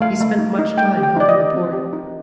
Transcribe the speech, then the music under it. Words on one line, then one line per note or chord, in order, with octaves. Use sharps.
He spent much time helping the poor.
A3 F5
A3
D#4
D#4
A3 G5
G4
G5
D#4 D5
D#5
G4
C4
G4
D#4